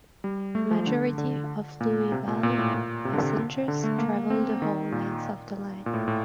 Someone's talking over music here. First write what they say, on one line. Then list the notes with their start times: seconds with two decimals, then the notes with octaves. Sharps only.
The majority of Looe Valley passengers travel the whole length of the line.
0.24 G3
0.55 A3
0.71 F3
0.86 D3
1.18 D3
1.81 A#2
2.12 C3
2.27 A#2
2.43 A#2
2.58 A2
2.74 A#2
3.05 C3
3.13 D3
3.22 C3
3.68 D3
3.84 A3
3.98 A#3
4.30 C4
4.62 D#3
4.92 A#2
5.86 A#2
5.94 A2
6.08 A2